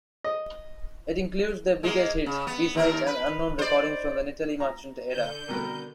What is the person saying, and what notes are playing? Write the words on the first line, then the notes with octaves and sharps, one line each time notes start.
It includes their biggest hits, B-sides and unknown recordings from the Natalie Merchant era.
D#5
G#3 A#3
C#3
B3
D#2 C4 A#4
B4
C5 D5
A#5
D3 G6
C2 B2 A#4 B4